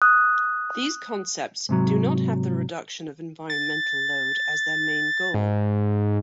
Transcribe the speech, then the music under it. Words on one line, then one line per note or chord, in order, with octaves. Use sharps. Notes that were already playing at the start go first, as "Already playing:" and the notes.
These concepts do not have the reduction of environmental load as their main goal.
D#6 F#6
G#2 C3 F#3
A6
G#2